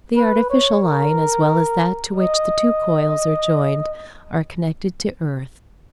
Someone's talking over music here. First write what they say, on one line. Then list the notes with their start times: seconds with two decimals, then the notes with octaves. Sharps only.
The artificial line, as well as that to which the two coils are joined, are connected to earth.
0.16 B4
0.50 C#5
0.83 A#4
2.17 D#5